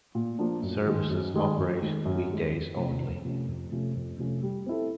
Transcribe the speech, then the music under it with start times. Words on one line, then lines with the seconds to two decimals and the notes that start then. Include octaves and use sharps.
Services operate weekdays only.
0.15 A#2
0.39 F3 A#3 D4
0.62 F#2
0.86 D#3 G#3
1.09 F#2
1.34 D#3 G#3
1.57 F#2
1.82 D#3 G#3
2.05 F#2
2.29 D#3 G#3
2.53 F2
2.76 C3 F3 A3 C#4
3.00 F2
3.25 C3 F3 A3 C#4
3.48 F2
3.72 C3 F3 A3 C#4
3.95 F2
4.19 C3 F3 A3 C#4
4.42 G3
4.66 C4 E4 A4